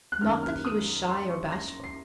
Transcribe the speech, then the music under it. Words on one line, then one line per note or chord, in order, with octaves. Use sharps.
Not that he was shy or bashful.
F#6
F#2 D#3 A#3 F6
F6
D#6
C6
C#6
A#6
C7